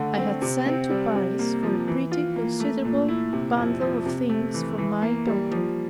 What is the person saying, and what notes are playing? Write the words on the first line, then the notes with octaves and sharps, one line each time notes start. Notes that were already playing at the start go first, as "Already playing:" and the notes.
I had sent to Paris for a pretty considerable bundle of things for my daughter.
Already playing: D3 A3
C4
C3
C4
G3
C3
A#3
F3
E3
F4
A#3
A3
A#2
E4
C3
F2
F3
C3
A3
E3
E3
A#3
G3
F3